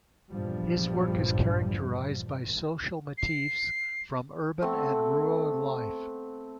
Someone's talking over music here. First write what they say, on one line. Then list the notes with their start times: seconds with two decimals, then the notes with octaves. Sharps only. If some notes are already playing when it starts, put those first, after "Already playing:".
His work is characterized by social motifs from urban and rural life.
0.31 A#1 E2 G2 F3 G3
3.18 C7
4.62 A3 B3 C4 F#5